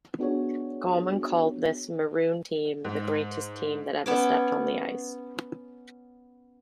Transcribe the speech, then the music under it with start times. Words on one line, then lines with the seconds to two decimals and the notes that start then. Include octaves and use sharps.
Gorman called this Maroon team the greatest team that ever stepped on the ice.
0.19 B3 D4 F#4 G#4 C#5
2.85 G#2
4.06 B3 C#4 D6